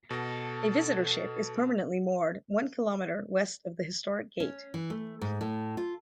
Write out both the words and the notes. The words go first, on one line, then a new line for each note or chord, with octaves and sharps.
A visitor ship is permanently moored one kilometer west of the historic gate.
B2 A4 A#6
C#4
E3
A3
G#2
A2
F4